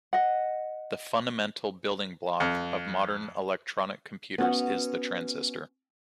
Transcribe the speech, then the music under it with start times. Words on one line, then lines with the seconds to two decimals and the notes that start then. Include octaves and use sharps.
The fundamental building block of modern electronic computers is the transistor.
0.13 D#5 F#5
2.40 F2
4.38 B3 C#4 F#4 F#5